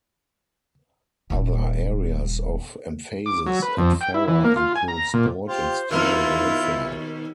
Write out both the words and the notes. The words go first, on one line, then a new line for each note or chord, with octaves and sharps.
Other areas of emphasis at Farrer include sport and student welfare.
D#1 G3
D6
F#3
B4
F2
G5
E4
E3
A#3
F4
G#5
A#5
A#2
F4 G4 C5
D#2 B2 E4 F4 A#4